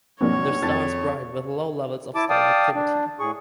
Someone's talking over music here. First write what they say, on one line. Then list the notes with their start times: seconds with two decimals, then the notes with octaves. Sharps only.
The star is bright with low levels of stellar activity.
0.21 B1 G2 F3 A#3 C4 C#5
0.63 F2 A6
2.15 E4 A5 D6
2.30 D5 F5 G5 A5 D#6
2.75 D4
3.20 A2 G#4 C#6